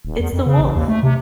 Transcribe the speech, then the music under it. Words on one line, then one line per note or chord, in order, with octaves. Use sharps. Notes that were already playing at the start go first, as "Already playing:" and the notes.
It's the Wolf!
D#1
E2
F2
C#3
A1
D#2
A3
C3